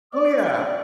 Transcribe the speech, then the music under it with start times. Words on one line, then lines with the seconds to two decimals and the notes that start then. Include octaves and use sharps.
Oh, yeah.
0.14 D5
0.43 D5